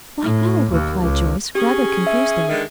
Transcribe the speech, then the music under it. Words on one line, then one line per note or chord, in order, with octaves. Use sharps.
"Why, no!" replied Joyce, rather confusedly.
A2
D#2
C#2
C#4 G4 G#4
E5
D3 D#3 G#3